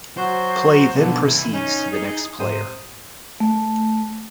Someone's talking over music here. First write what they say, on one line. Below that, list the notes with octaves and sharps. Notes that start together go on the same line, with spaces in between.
Play then proceeds to the next player.
F#3 F#4 C5
B1 D3 B3
C3 E3 E4
C#4 D#4
G#4
G#2 C3 C5 D#6
A3